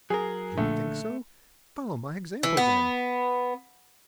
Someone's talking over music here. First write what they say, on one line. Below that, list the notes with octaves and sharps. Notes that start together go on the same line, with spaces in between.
"You think so?--follow my example, then."
F#3 G#4 A#4
A#1 D3 A3
E3
B3